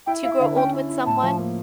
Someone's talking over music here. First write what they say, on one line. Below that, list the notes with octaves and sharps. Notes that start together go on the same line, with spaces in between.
to grow old with someone,
E4 G5
E4 F5
D3 F5
C#4 G5
E4
E4
A2 A5
F3
A#3